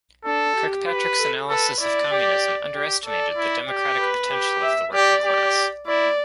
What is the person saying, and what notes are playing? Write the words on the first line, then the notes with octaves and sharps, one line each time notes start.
Kirkpatrick's analysis of communism underestimated the democratic potential of the working class.
D4 A4
G4
B4
A4
A4 B4
E4 D5
G4
G4
A4 D5
E4
G4
B4
G4
E5
G4 D5
G4
E4 D5